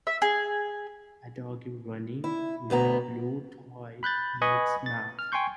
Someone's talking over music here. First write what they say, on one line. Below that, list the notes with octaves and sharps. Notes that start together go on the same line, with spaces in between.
A dog running with a blue toy in its mouth.
E5
G#4
E4
D2 B2 B3 A#5
B5 F#6 G6 A6
B4 D#5 G#5 B5 C#6 D#6
A6
F6
G5 G#5 C6 C#6 G6